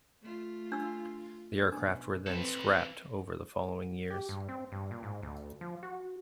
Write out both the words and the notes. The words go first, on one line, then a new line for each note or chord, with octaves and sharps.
The aircraft were then scrapped over the following years.
A3 F4
D4 E6
B2 D4
E3 C4 A4 B4
G4
G2
C4
G2
A#2
G#2
D2
F3
F#4